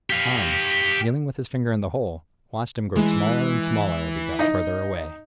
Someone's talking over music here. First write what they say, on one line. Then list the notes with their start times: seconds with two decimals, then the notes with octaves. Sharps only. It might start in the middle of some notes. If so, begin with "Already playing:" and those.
Hans, kneeling with his finger in the hole, watched him grow smaller and smaller as he got farther away.
0.10 G4 F5
2.96 E3 G#3
4.39 D#4 D#5